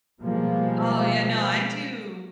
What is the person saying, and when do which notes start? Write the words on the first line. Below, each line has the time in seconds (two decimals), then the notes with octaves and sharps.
Oh, yeah, no, I do
0.21 B2 F3 G3 G#3 A#3